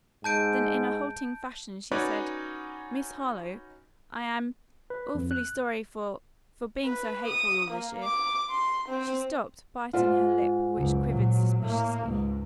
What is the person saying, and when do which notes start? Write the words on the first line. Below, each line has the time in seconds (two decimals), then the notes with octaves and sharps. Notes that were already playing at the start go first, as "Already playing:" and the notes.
Then in a halting fashion she said: "Miss Harlowe, I--am--awfully sorry for--for being so hateful all this year." She stopped, biting her lip, which quivered suspiciously.
0.24 G#2 A5 G6 D7
1.91 C#4 D#4 F#4 B4 C#5 D5
4.90 B4
5.15 F2
5.31 F#6
6.85 B4
7.27 D#6
7.71 A#3
8.04 D6
8.50 C6
8.89 C4
9.93 G#2 F4
10.75 F#1 C#2
11.08 A#2 F#3
11.60 A2 A#3
12.03 C#2 G#2